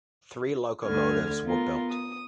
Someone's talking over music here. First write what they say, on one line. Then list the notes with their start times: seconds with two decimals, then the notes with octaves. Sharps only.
Three locomotives were built.
0.85 D2 D3 F6 G#6
1.45 B3 F4 A#4
1.91 D#6